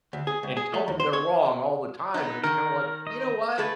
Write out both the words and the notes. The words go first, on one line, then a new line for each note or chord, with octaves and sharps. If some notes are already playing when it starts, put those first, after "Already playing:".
and tell them they're wrong all the time, and it's kinda like, "You know what?"
D2
G#4
C#2
G#4
A3
D#2
C5
C#5
B3 D#4
D#3 A#4
D#5
A3 G#4 B4